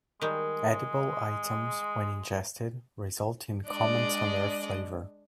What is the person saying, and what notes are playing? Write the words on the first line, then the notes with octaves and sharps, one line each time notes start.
Edible items, when ingested, result in comments on their flavor.
D#3 G3 G#3
G#3 D4 D5 D#5